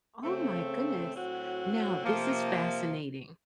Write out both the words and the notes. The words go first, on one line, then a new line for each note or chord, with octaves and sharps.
Oh, my goodness. Now this is fascinating.
C#3 A3 C4
A2 F#3 C4 F#4
C3 F3 A#3